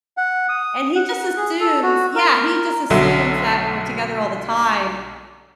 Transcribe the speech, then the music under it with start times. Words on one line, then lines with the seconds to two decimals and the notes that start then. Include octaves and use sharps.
and he just assumes Yeah, he just assumes that we're together all the time
0.17 F#5
0.49 D#6
0.96 F#5
1.37 G#4
1.60 A4
1.83 F#4
2.15 A#4
2.90 B1 D3 F#3 E5